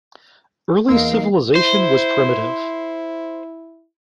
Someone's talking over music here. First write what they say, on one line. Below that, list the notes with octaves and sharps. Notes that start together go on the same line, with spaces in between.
Early civilization was primitive.
E2 A#3 D#4 A#4 F5 C7
E4 C5